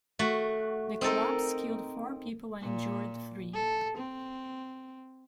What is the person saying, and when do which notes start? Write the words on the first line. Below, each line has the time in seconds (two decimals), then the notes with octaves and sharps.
The collapse killed four people and injured three.
0.19 A3 F#4
1.01 C4 D#4 A4 A#4
2.61 A#2
3.53 A4
3.98 C4